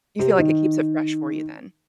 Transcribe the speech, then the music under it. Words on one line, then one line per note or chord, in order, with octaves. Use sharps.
You feel like it keeps it fresh for you, then?
C3
D#3